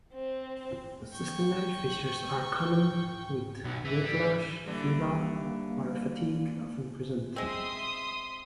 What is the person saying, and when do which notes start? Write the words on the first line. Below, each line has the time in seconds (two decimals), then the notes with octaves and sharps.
Systemic features are common, with weight loss, fever, or fatigue often present.
0.14 C4
1.12 G5 C#6
3.64 B1
3.85 E3
4.04 G3
4.66 D3 E3 G3 A#3
7.36 G#3 C4 E5 C6 D#6